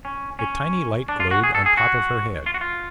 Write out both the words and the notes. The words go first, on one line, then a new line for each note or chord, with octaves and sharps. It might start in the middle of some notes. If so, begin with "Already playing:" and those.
A tiny light glowed on top of her head.
C#4
C#4
D4
F4
F#4
G#4
A4
G#4
F#4
F4
F#4
F4